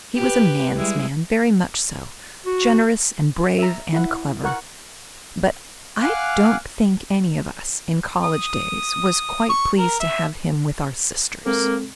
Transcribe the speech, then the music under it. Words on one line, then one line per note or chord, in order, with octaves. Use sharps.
He was a man's man, very much so, generous and brave and clever; but I don't think any of us in college days was quite pleased to have him with our sisters.
G4 B4
G3 G#3 E4
F#4
E5 A#5
E4 F#5
A#4 F#5 C#6
F5 F#5 G#5 D6 F6 F#6
D#6
C#6
A#4
E5
G#3 A#3 C4 A4